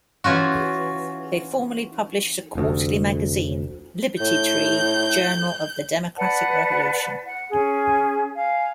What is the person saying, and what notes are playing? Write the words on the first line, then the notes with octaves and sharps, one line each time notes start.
They formerly published a quarterly magazine, Liberty Tree: Journal of the Democratic Revolution.
E3 C#4 F4 F#4
F1 D2
A2 G6
B4 D5 F#5 A5
F#5
C#4 G#4
F5 G#5